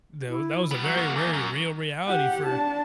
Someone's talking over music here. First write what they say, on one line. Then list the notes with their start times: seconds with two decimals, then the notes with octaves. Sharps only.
Tha that was a very, very real reality for
0.29 E4
0.71 G3 B3
0.84 F#3
0.97 A#3 F#4
1.16 E2
1.33 F#2
2.05 G4 F#5
2.45 D4 A5